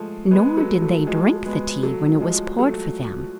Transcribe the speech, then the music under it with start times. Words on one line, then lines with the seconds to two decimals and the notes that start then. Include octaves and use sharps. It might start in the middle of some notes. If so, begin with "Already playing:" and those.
Nor did they drink the tea when it was poured for them.
Already playing: F3 G#3 A3
0.31 G#3 B3
0.56 F#3 A3
0.82 F#3 A3
1.07 F3 G#3
1.45 G#3 B3
1.83 F#3 A3
2.21 F3 G#3
2.58 F#3 A3